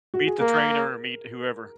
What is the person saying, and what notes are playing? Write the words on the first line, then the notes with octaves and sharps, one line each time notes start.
Meet the trainer or meet whoever.
F#4
G#4
A#3 A#4